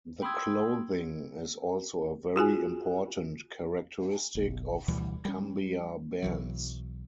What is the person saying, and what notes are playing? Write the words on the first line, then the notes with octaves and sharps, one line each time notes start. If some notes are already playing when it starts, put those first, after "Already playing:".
The clothing is also a very important characteristic of cumbia bands.
G5 B5 C6 D#6 E6 G#6
F4 F#4 G#4 G#5
F#1 B1
D2 B2 E3 G3
G3 C#4
B1 E3 F#3